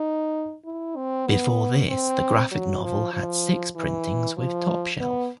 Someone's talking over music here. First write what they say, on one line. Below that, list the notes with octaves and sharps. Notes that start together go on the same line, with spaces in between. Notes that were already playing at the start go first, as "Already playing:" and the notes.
Before this, the graphic novel had six printings with Top Shelf.
Already playing: D#4
E4
C4
B3
C4
F#3
F3
F3
E3
F3
B3